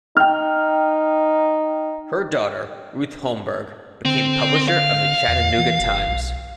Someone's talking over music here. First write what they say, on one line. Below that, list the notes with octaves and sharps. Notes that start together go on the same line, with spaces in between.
Her daughter, Ruth Holmberg, became publisher of "The Chattanooga Times".
D#4 G5 F6
D3 C4
F5
E2
E3
F#1
B1